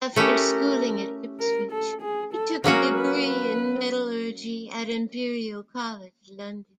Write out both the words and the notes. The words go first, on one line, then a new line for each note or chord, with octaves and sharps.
After schooling at Ipswich, he took a degree in metallurgy at Imperial College, London.
A3 C#4 E4 G4 A#4
A#4
A4
G#4
A4
F#3 A#3 C#4 F#4 A#4
B4
B4